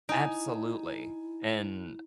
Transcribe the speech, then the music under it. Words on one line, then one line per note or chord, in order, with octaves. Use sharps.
absolutely, and
D#4 E4 G#5 D7